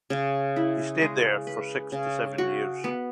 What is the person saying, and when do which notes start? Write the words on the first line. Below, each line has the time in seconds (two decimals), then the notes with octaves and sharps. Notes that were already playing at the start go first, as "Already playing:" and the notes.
He stayed there for six to seven years.
0.10 C#3
0.56 E4
1.01 G#3
1.47 B4
1.92 C#3
2.38 F#4
2.84 B3